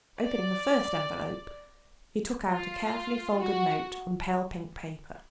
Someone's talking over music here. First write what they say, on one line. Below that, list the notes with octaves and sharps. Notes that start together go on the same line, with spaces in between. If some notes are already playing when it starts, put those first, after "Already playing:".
Opening the first envelope, he took out a carefully folded note on pale pink paper.
D5
F4
F#4